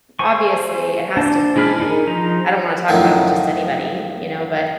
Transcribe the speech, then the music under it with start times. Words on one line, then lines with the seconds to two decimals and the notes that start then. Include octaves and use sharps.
obviously, it has to be I don't wanna talk about it with just anybody, you know? But
0.19 C5 G#5 C#6
1.17 D4 C5 A5
1.56 G#3 D4 G#4 B5 F6
1.80 D#4 G#4 A#4
2.07 F3 D#4 A#5
2.88 F#2 A2 D#3 F3 F#3